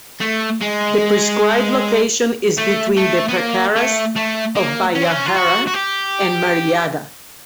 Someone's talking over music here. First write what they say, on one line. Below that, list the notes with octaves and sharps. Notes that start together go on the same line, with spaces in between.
The prescribe location is between the "prakaras" of "bahyahara" and "maryada".
A3
G#3
A3
A3
B3
A#3
A3
A3
A#3
C#4
C4
C#4
F4
F#4
F#4
G4